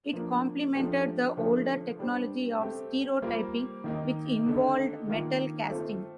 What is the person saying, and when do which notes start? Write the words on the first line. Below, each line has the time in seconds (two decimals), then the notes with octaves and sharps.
It complemented the older technology of stereotyping, which involved metal casting.
0.13 F3 A#3 D4
0.75 F3 A3 D4 G4 C5
1.37 D3 F3 A3
1.99 G3 D4 G4 C5
2.60 A3 C4 G4
3.22 G3 A#3 F4 C5
3.84 D#3 A#3 D#4
4.46 D3 A3 D#4
5.08 D#3 A#3 F4
5.69 A3 C4 F4 A4 C5